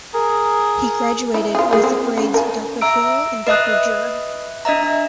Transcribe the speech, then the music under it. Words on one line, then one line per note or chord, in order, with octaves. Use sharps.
He graduated with the grades Doctor phil and Doctor jur.
G#4 A#4
E4
F4 G#4
A#3 G#4
C4
C#3
A#4 G#5
E5 A#5 E6 D7
B4 D#5 E5 D#6 F#6
D4 D#5 E5 A#5